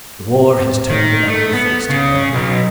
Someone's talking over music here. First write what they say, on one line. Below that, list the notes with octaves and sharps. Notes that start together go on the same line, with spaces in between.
The war has turned an ugly face to her.
D#3
A3
B3
C#3
B1